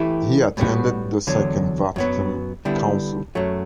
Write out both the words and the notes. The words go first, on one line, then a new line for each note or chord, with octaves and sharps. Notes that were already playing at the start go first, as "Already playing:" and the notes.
He attended the Second Vatican Council.
Already playing: E3 A3 E4 G4
A2 G3 B3 F#4
E2 D3 F#3
F#2 F#3 B3
D3 G3 B3 E4
F#2 F#3 A3